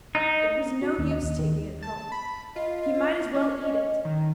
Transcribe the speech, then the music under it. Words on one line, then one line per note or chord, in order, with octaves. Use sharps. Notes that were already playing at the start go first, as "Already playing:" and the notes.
It was no use taking it home, he might as well eat it.
D#4
F#4
D#2
D#5
D#2
D#3
A5
B5
F4 D#5
C#4
D#3